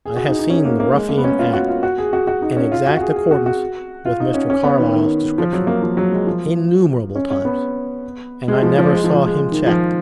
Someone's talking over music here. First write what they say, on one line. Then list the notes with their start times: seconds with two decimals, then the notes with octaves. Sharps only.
I have seen the Ruffian act in exact accordance with Mr. Carlyle's description, innumerable times, and I never saw him checked.
0.05 G#4
0.17 F#4
0.28 D#4
0.39 D#4
0.50 C#4
0.65 A#3
0.80 A#3
0.94 G#3
1.09 A#3
1.18 B3
1.24 C#4
1.39 F4
1.53 F#4
1.68 F4
1.83 F#4
1.98 G#4
2.13 F#4
2.27 F#4
2.42 D#4
2.57 C#4
2.72 F4
2.87 F#4
2.97 F#4
3.02 G#4
3.16 G#4
3.31 F#4
3.46 F#4
4.05 F4
4.20 D#4
4.34 C#4
4.50 C#4
4.64 B3
4.79 D#3
4.93 D#3
5.38 F3
5.53 F#3
5.67 A#3
5.82 F3
5.97 F#3
6.12 G#3
6.27 F3
7.15 C#4
7.30 C#4
7.45 B3
8.48 G#3
8.63 F3
8.78 F3
8.93 G#3
9.04 F3
9.14 F3
9.26 G#3
9.52 D#3
9.66 F3